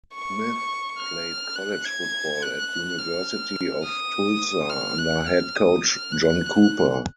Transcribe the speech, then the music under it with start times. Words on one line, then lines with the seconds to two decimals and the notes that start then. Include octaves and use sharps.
Smith played college football at University of Tulsa under head coach John Cooper.
0.14 C#6
0.99 F6
1.56 F#6
1.85 G#6
2.42 F#6
2.99 F6
3.84 D#6
4.69 F6
4.99 F#6
5.27 F6
5.56 D#6
5.84 F6
6.12 F#6